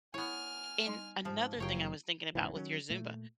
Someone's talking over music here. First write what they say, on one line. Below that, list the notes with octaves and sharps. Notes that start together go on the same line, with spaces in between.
and another thing I was thinking about with your Zumba:
B3 E4 C#5 G#5 F6
G3 D#4 C6
G#2 F3
F#1 F4 G4 A#4 C#5 F5 G5 A#5
D#1 G#2 C#3 E3
D#3 F#3 C#4
A#2 A3